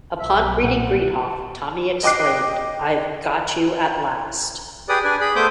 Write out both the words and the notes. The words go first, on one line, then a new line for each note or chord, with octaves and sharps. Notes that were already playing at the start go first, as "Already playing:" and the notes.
Upon greeting Greenhoff, Tommy exclaimed, I've got you at last.
B1 E5
A#2 F#5
D#5 G5 D6 F#6 C7
G4 G#4 B4 D5 D#6
D4 B4 D5 G#5
G#4 B5
A3 B3 C5 D6 D#6 G6